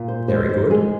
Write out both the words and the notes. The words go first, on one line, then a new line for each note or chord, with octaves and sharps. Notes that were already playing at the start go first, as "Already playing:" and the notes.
Very good.
Already playing: A#2
C5
G#3 C5
C5
G#3 G#4